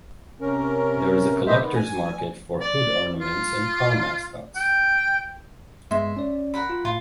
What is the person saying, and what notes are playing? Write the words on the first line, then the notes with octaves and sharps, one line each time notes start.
There is a collectors market for hood ornaments and car mascots.
C3 C#4 A#4
A3 B3 G4 C5 D#5 E5
D#3 B3
G#5
D5
F4
G5
G2 G#3 B3 E5 C6
C#4 D5
A#4 F#5 B5
F4
A2 F4